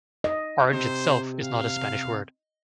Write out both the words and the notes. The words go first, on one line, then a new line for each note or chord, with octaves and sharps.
"Orange" itself is not a Spanish word.
D#5
C3 C5
F5